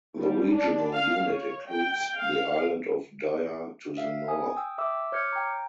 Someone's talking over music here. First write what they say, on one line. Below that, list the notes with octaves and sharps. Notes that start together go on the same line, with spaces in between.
The regional unit includes the island of Dia to the north.
G3
D4
F5
C#5
G5
F5
E5 F5
G#5 D#6
G5 D#6 E6
E5 D6 E6
C#5 D6 F6 G6 G#6 C#7
G5 A#5